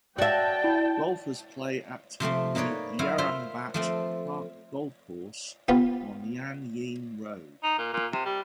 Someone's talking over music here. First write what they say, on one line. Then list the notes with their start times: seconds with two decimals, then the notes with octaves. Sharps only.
Golfers play at the Yarrambat Park Golf Course on Yan Yean Road.
0.18 F#4 D5 E5 G5 A5
0.64 E4
2.20 C3 F3 A3 C4
2.55 A#3 D#4 B4 C#5 D5
2.99 F#3 E4 C5 F5
3.18 F4 C5 E5 C6
3.74 F3 A3 C4
5.68 B3 F4 G4
7.64 D#4
7.78 A#2
7.93 A#2
8.13 C3
8.25 G3